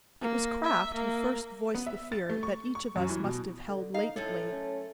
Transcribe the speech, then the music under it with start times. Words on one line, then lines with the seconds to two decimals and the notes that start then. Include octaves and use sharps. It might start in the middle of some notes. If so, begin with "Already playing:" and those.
It was Kraft who first voiced the fear that each of us must have held latently.
0.21 A#3
0.64 E5
0.95 A#3
1.75 B3
1.87 E5
2.12 A6
2.29 A3
2.43 C#6
2.75 C#6
2.96 F#2
3.09 E3
3.24 B2
3.69 D3
3.94 D#4 F5
4.16 F#2 A2 A3 A4
4.52 C#4